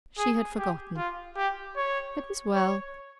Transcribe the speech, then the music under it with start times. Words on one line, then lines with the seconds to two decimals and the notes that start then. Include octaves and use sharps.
She had forgotten. It was well.
0.18 G#4
0.58 G4
0.97 F4
1.36 G4
1.76 C#5
2.55 C#5